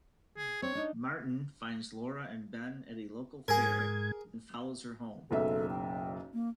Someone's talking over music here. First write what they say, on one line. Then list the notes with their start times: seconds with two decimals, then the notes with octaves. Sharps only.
Martin finds Laura and Ben at a local fair, then follows her home.
0.37 G#4
0.62 C4 D4 C#5
0.75 D4 D#4
3.48 G#2 G#4 A#4 G#6
5.31 F#1 B1 A4 E5
5.71 G5
6.33 A#3